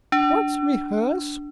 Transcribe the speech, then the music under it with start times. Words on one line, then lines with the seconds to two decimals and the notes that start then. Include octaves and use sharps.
"What's rehearse?"
0.12 D4